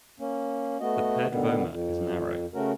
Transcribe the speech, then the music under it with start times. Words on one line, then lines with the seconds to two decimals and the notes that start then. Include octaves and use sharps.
The paired vomer is narrow.
0.20 A#3 C#4
0.81 A3 B3 F#4 D#5
1.29 B2 D3 D#3 B3
1.69 F2
2.54 C#3 A3 C#4 F#4 A#4